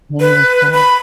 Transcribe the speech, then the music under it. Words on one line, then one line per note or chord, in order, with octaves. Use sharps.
Little of that.
B4
B5